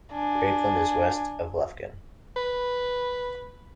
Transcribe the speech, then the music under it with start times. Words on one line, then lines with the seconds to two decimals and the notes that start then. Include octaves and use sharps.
Grapeland is west of Lufkin.
0.12 D4 G#5
2.37 B4